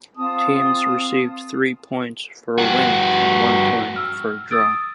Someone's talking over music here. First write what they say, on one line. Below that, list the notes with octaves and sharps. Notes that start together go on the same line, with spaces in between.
Teams received three points for a win and one point for a draw.
C4 F4 A5 D#6
G2 F#4
E6 F6
D#6 E6 A6 D7